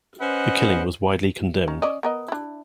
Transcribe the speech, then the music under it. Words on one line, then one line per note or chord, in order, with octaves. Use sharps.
The killing was widely condemned.
C#4 B4 C5 D#5 F#5
C#4 D#4
C#4 D5 D#5
B3 A#4 D#5
D4 E4